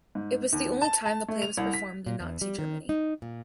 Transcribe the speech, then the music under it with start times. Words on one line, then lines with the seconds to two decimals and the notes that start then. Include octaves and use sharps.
It was the only time the play was performed in Nazi Germany.
0.15 G#2
0.53 D#2
0.82 A5
1.06 A5
1.29 A3
1.42 F7
1.58 C2
1.74 B6
2.06 A#2
2.20 E2
2.42 G3
2.59 D#3
2.89 D#4
3.22 A#2